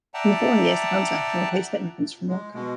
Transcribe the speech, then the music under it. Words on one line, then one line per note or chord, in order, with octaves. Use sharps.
In the following years the founders left and were replaced by immigrants from Morocco.
D5 E5 F#5 G5 A5 A#5
G#3
B2 G#3